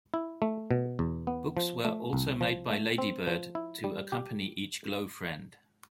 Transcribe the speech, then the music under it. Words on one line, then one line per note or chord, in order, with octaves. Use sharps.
Books were also made by Ladybird to accompany each Glo Friend.
E4
A3
B2
E2
B3
F3
A3
C2
F3
A3
C4
F3
E4
G3
G4